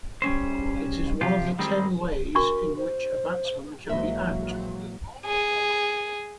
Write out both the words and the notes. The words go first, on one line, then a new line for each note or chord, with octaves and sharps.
It is one of the ten ways in which a batsman can be out.
G3 C#4 C5
C3 F3 F4 G4
D#3 G3 G#3 C4
D4 F#4 A#4 C#6
C5
A#1 E3 F#3 G#3 A#3 D#5 E5
G#4